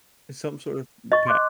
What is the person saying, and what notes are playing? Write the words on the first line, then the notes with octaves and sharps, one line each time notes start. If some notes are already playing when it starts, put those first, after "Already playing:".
Some sort of m pa
D#5 C#6 A6
C6 D6 F#6